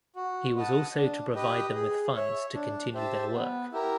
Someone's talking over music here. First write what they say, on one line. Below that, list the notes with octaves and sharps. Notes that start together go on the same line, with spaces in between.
He was also to provide them with funds to continue their work.
F#4
B4 D#5 F#5 A5
D4
G4 B4 D#5
G#4
C#5 E5
D4
G4 C5 E5 A5
B3
E4 G4 A#4